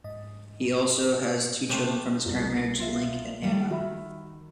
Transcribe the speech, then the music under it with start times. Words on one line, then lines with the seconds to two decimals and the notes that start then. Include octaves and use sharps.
He also has two children from his current marriage, Link and Hannah.
0.04 G#2 D#5
1.69 C3 A3 C4
2.26 C2
2.79 F4 E5 F5
3.42 D#3 G3
3.70 D#3 F#4 E5 B5